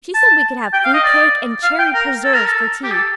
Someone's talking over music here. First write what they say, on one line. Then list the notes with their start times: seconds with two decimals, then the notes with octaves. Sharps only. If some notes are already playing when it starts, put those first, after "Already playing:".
She said we could have fruit cake and cherry preserves for tea.
0.14 A5
0.73 G5
0.84 F5
0.94 D#5
1.04 D5
1.63 F5
1.79 G5
1.94 A#4
2.24 A4
2.34 A#4
2.45 A4
2.84 G4
2.92 A4